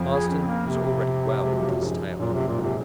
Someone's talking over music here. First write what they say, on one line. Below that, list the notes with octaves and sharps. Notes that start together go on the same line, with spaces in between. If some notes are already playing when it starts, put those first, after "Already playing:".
Marsden was already well into his tale...
Already playing: F2 F3
G#4
C#4
C4
A#3
C3
G#3
F#3
F3
F#2 F#3
G#2 G#3
F#2 A#2 F#3
C3
A#2
G#2 C3 G#3